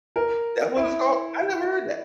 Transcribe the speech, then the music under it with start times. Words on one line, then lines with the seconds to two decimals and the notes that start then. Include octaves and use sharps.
That's what it was called? I never heard that.
0.16 A#4
0.76 E4